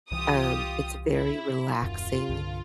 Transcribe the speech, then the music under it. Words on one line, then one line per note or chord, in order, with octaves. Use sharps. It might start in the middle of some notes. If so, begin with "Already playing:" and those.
um, it's very relaxing,
C2 E3 F4 G4 D#6
E4
D#1 F#2 F4
C2 G2 D3